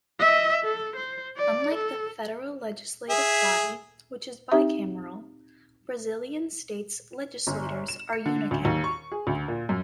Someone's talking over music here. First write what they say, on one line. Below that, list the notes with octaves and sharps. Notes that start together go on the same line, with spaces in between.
Unlike the federal legislative body, which is bicameral, Brazilian states legislatures are unicameral.
D#5 E5
A4
C5
D5
A4
G#4 E5
C4 D#4 G4 E5
G1
E7
C#7
D3
D2
D#2
C#6
G#4
D2
A#2
F#2